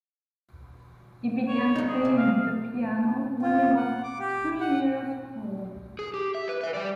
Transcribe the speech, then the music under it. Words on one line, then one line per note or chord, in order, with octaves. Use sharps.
He began playing the piano when he was three years old.
C#5
G2 D#4
G#4
C3
F5
F4
F#5
D6
G4
F#5
G#4
G4
E5
B4
B4 E5
G3 D5